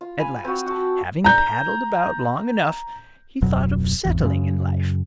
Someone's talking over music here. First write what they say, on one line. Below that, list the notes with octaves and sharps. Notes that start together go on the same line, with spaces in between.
At last, having paddled about long enough, he thought of settling in life.
F4
F5 G#5 B5
C4 F#4
F#4 A5
A#5 G6
D1 F2 B2 F#3
G#1 E2 E3
F#2 C#3